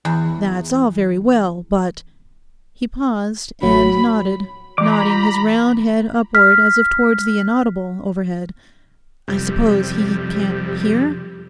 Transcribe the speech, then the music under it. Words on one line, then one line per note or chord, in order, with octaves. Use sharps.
That's all very well, but'--he paused, and nodded, nodding his round head upward as if towards the inaudible overhead, 'I suppose he can't HEAR?'
E2
A1 F#3 B5
E3 F4 G4 A#5 B5 D6
F6 B6
F2 C3 G3